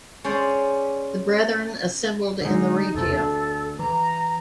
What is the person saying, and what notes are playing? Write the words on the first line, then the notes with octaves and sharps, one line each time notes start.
The Brethren assembled in the Regia.
C#4 G#4 C5 D5
D3 G#3 D#4
E2 C3 A4
D2 D4 A4
E3 A#5